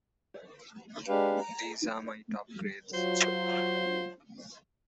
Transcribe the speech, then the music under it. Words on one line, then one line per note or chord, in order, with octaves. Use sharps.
These are my top grades.
G#3 D4 G4 B4 F5
A#5
F#3 F4 C5